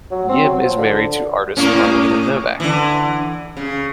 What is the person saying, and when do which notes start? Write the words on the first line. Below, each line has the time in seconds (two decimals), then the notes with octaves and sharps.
Yim is married to artist Marlena Novak.
0.11 F#3
0.29 C4
0.44 F#3
0.63 F3
0.78 D3
1.57 A2 A#3 C#4
2.60 D3 E3
3.57 C#3